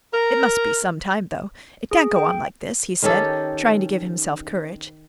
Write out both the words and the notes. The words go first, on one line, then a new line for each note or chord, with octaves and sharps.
"It must be some time, though: it can't go on like this," he said, trying to give himself courage.
A#4
G#4
G5
D#3 C#4 G4 A4